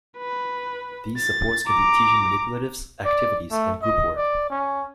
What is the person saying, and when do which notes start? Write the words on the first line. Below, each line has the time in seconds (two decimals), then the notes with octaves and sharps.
These supports can be teaching manipulatives, activities, and group work.
0.18 B4
1.17 A6
1.67 A#5 D6
3.05 D5
3.51 A3
3.82 D#5
4.16 D5
4.50 C#4